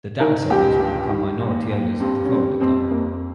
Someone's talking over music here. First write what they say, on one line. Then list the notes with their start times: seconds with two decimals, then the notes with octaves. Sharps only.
The Dallas owners would become minority owners of the Florida club.
0.20 D#3 A#4
0.50 C#2 G4
0.80 G2
1.10 D#3
1.40 D#2
1.71 D#2
2.00 G2 C4
2.25 C#4
2.30 G2 C4
2.60 F2 C4
2.91 F2 A#3